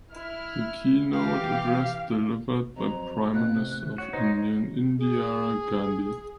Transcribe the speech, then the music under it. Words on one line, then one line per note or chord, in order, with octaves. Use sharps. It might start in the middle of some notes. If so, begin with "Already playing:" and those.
The keynote address delivered by Prime Minister of India Indira Gandhi.
E4 F6
E3 G4 F5
F2 F#3 C5 A#5
B2 F4 F#4 F#6
A2 C3 A3
F#4 C#5
D#4 C5
G#4